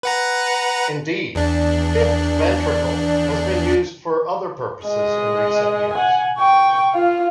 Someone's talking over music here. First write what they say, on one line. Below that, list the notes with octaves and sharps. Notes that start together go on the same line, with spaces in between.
Indeed, "fifth ventricle" has been used for other purposes in recent years.
B4 F#5 A#5
E2 D4
G#3 D#5
F#5 G#5
G5 C#6
F4 F5